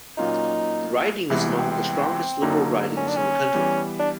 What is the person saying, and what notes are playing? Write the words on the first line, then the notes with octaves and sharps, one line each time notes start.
The riding is among the strongest Liberal ridings in the country.
A#2 F#3 A#3 C#4 D#4 F4
C2 C3 E3 G#3 B3 E4
C4
C4
F#2 D3 F#3 A#3 D#4
C#4
D4
C#4
E3 G3 B3
D4